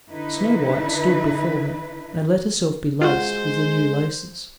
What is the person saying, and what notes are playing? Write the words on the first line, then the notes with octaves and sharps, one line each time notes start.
Snow-white stood before her, and let herself be laced with the new laces.
D3 D#4 E4 B4
G#3 F4 F#4 C5